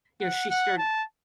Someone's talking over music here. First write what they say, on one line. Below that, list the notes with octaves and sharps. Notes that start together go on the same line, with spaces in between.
you know, she started
F#5
F#5
A5